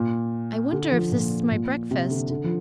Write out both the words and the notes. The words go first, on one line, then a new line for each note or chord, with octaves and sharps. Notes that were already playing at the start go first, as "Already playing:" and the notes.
"I wonder if this is my breakfast?"
Already playing: A#2
D3
F3
A#2
A#2
C3
D3
D3
F3